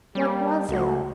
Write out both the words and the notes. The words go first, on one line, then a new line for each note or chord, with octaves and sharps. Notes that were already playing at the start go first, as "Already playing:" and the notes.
What was it?
G3 A#3 G4
C#2 A3 F#4